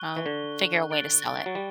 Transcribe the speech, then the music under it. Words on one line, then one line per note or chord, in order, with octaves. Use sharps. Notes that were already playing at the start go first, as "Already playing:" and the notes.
I'll figure a way to sell it
Already playing: C#6 F#6 G7
E3
D3
F#6 A6 D7 G7
F#3
G3